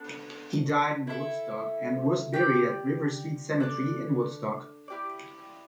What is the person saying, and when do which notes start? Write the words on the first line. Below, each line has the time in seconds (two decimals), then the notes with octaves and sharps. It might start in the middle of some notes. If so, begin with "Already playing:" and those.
He died in Woodstock and was buried at River Street Cemetery in Woodstock.
Already playing: B3 D4 A4
1.07 E4 A4 E5
2.34 G4 D5 G5
3.60 D4 A4 D5
4.88 E4 G4 D5